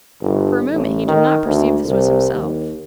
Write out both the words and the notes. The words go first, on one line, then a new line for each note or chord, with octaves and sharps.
For a moment he did not perceive this was himself.
G1
A1
D#3
D2
C2
D#2